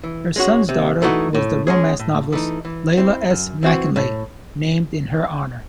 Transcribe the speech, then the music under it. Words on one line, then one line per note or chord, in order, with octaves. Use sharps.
Her son's daughter was the romance novelist Leila S. Mackinlay, named in her honour.
E3
G#3 C#4 F#4
C3
E3 A3 D#4 F#4
A2
G#3 C#4 G#4
A2
E3 A3 D#4
E3
C4 E4
F#2
E3 C4 F#4
A2